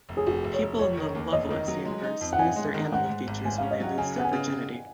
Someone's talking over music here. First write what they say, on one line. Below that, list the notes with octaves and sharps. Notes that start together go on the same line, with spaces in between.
People in the "Loveless" universe lose their animal features when they lose their virginity.
F1
G#4
F1 F#4
F1
C#5
F1
F1 C#5
D#3
D#2
F1 D#5
D#3
F#3
G#3
D#4
F2
F#5
D#4 G#5
G#3
D#3
G#2 F#5
G#2
G#1
G#2 G#5
C#4 F5
D#5
F#3 F#5
C#3 G#5
B3 F#5
G#5
C#3